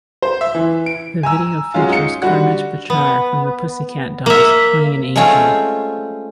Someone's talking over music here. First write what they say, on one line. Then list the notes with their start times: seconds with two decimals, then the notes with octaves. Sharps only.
The video features Carmit Bachar from the Pussycat Dolls, playing an angel.
0.22 C5
0.41 E5
0.55 E3
0.86 D7
1.23 G#5 A#5 E6
1.74 F#3 G#3 C#4 F4
1.89 D#4 C#7
2.22 D3 G3 F#4
2.90 B3
4.26 A#3 E5
5.16 G#3 A3 C4 C#4 F4